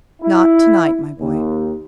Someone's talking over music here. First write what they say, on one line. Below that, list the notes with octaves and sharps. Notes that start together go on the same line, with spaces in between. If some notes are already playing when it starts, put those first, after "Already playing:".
"Not tonight, my boy."
E4
D#2